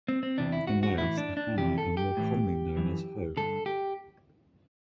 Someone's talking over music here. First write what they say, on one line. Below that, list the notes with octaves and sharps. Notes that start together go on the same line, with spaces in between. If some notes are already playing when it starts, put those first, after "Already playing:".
In Laos, the Hani are more commonly known as "Ho".
C4
C4
E2 C3 E3 D4
E4
F#4
F#4
A2 E3 E4
D4
D4
E2 C3 E3 G4
A4
G4
A2 E3
F#2 E3
G2 D3 A4
G4